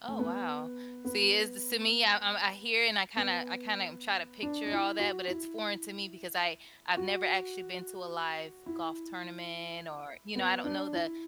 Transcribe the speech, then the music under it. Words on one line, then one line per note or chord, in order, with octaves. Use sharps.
Oh, wow. See, it's s me, I'm I'm I hear, and I kinda I kinda m try to picture all that, but it's foreign to me because I I've never actually been to a live golf tournament or, you know, I don't know the
A3
B3
B3
B3
D4
D4
E4
F#4
E4
F#4
E4
B3
D4
E4